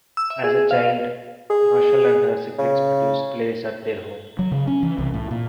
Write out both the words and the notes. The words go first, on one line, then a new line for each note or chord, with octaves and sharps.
As a child, Marshall and her siblings produced plays at their home.
E6
E5
G#4
F5
G#4
C#3
F#3
C#3
C#4
E3
C2
A2
A#2